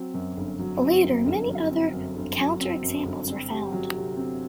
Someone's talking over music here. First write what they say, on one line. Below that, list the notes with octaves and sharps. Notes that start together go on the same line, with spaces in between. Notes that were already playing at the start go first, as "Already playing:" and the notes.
Later many other counterexamples were found.
Already playing: F#3 C4
F#2
G1
F#3
C4
F#2
G1
F#3
C4
F#2
G1
F#3
C4
F#2
G1
C4
G4
F#3
C3
C4